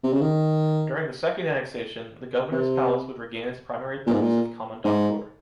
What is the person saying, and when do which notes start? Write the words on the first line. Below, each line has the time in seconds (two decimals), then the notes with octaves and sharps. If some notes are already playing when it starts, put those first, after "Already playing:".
During the second annexation, the governor’s palace would regain it’s primary purpose of Kommandantur.
0.04 C3
0.13 C#3
0.21 D#3
2.52 C3
4.07 A#2
4.13 G#2
4.21 A#2
4.84 G#2